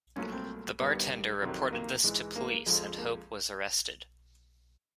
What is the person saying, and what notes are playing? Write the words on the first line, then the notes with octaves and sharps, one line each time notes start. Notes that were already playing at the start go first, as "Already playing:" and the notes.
The bartender reported this to police and Hope was arrested.
C2 A#2 F#3 A3 C#4
C4
G2 D#3 G3 B3
F2 C3 D#3 F#3
A#3
G#2 E3 G#3
A#3
F2 D3 F3 G#3
A#3